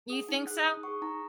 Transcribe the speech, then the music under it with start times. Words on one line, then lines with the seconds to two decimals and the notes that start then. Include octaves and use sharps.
You think so?
0.09 G#4 F#5 D#6
0.29 D#4
0.47 G#4 F#5 F#6
0.65 D#4 D#6
0.83 G#4 F#5 C#6
1.02 D#4 A#5